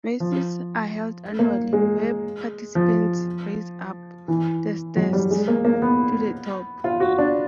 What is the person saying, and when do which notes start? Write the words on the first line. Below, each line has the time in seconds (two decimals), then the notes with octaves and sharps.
Races are held annually, where participants race up the stairs to the top.
0.20 F3
1.39 A#3
1.73 G#3
2.75 F3
4.28 E3
4.97 F#3
5.13 G3
5.31 G#3
5.48 A#3
5.65 A#3
5.82 B3
6.84 F4
7.00 F#4
7.18 D4